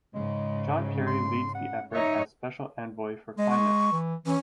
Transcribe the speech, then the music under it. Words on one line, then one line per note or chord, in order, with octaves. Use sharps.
John Kerry leads the effort as Special Envoy for Climate.
G#2 C#3 G#3
C6
F#5
D#4 C#5 E5
G#3 D#5
C#6
E3
E3 C#4